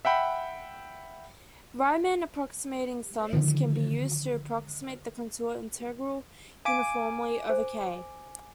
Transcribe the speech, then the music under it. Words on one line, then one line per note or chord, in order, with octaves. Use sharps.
Riemann approximating sums can be used to approximate the contour integral uniformly over "K".
E5 F#5 G5 B5
D3 D#3 F3
F5 G#5 D6 D7
C5